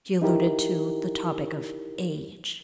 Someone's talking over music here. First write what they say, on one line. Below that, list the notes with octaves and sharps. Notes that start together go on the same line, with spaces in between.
She alluded to the topic of age.
D#4 E4 G4 A#4